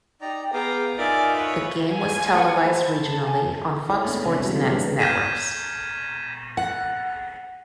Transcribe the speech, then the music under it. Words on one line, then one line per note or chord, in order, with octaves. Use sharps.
The game was televised regionally on Fox Sports Net networks.
D#4 D5 G5 A#5
B3 G#4 F5 G5 A#5 D6
D#4 F4 A#4 D5 E5 G#5
B4 C#5
F4 G#5
A4 F5 F#5
C5 A5 B5
G#5
E4 G#4 A4 C#5
G#3 A3 B3 D4
C3 E3
G3 F#4
F#3 D4 B4 D5 F5
G#3 A3 G4 A#4
F6 G6 G#6 B6 D#7 E7
F#5